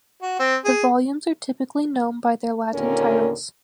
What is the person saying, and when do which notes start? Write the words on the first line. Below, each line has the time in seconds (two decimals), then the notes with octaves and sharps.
The volumes are typically known by their Latin titles.
0.22 F#4
0.39 C4
0.65 G#4
2.74 D#2 A#2 D3 C#4 A#4